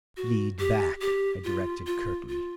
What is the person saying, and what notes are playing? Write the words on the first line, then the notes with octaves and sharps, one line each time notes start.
"Lead back," I directed curtly.
F#4
G4
G4
F4
F4
F4